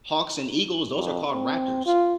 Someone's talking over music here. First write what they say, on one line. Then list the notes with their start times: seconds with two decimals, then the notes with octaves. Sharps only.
hawks and eagles, those are called raptors.
0.96 F2
1.30 C4
1.86 F4